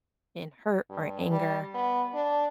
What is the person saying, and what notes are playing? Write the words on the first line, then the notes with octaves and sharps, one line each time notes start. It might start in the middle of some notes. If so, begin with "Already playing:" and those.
in hurt or anger,
G2
G3
B3
D4